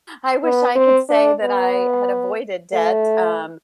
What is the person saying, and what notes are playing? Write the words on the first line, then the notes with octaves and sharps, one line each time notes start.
I wish I could say that I had avoided debt, um,
B3
C4
D4
B3
A3